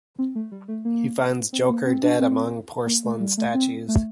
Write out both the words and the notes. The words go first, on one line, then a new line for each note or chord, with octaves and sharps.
He finds Joker dead among porcelain statues.
C4
A3
G3
A3
A#3
C4
A#3
C4
D4
C4
A#3
A3
G3
A3
C4
A3